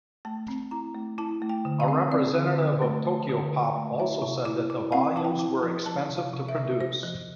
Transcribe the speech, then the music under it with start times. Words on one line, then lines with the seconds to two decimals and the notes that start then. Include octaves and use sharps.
A representative of Tokyopop also said that the volumes were expensive to produce.
0.25 A3 A5
0.48 C4
0.71 E4 A#5
0.94 A3
1.18 E4 A5
1.42 A3
1.49 G5
1.65 D3
1.80 F5
1.88 C4
2.12 C4 D5
2.35 D3
2.59 D3
2.82 A3
3.06 A3
3.29 D3
3.53 D3
3.76 A3
3.98 E4 E5
4.22 C3
4.45 E4
4.70 E4
4.92 C4 F5
5.16 E4 A5
5.24 G5
5.39 E4
5.63 F3
5.86 F3 A5
6.10 C3
6.17 F5
6.33 C3
6.49 E5
6.57 C3
6.79 C3 C5
7.03 F3